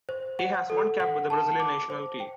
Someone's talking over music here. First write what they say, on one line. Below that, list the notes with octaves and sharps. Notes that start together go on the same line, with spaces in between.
He has one cap with the Brazilian national team.
C5
F#5
A4
F#5
A5
D6
C5
G5